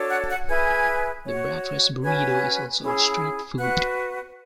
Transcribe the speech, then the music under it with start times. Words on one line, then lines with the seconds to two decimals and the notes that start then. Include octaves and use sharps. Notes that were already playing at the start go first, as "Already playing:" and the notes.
The breakfast burrito is also a street food.
Already playing: D4 F#4 A4 C#5
0.10 F#5 F#6
0.29 F#5 F#6
0.48 E4 G#4 B4 G#5 G#6
1.26 F#4 C#5
2.03 C#4 F#4 B4 G#5 G#6
2.80 C#4 E4 G#4
3.58 F#4 B4 F#5 F#6